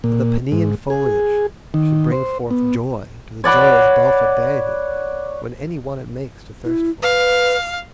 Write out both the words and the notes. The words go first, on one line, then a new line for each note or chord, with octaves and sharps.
That the Peneian foliage should bring forth Joy to the joyous Delphic deity, When any one it makes to thirst for it.
A#2
G#2
G#4
D#3
C5
B3
C#5 D5 F#5 B5
E4
B4 F5